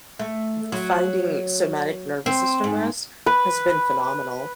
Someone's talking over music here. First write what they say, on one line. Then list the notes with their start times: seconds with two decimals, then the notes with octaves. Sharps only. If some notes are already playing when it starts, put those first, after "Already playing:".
F finding somatic nervous system rest has been phenomenal.
0.19 A3
0.72 F#3
2.26 C4
2.64 G#2
3.26 B4